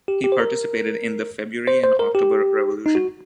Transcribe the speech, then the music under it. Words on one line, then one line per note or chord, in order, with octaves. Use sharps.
He participated in the February and October Revolution.
G4
G4
C5
A#4
C5
C5
A#4
G4
D#4
F#4